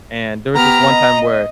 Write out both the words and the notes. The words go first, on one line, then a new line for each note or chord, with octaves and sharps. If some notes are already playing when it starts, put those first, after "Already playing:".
and there was this one time where,
B3 G4 A#5 F6
D#5